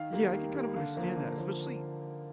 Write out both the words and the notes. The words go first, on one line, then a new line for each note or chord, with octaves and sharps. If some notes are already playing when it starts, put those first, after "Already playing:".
Yeah, i I can kind of understand that, especially
Already playing: D#3 F5
G3 A#3
D#3 F5
G3 A#3
D3 F5
F3 A#3
D3
F3 A#3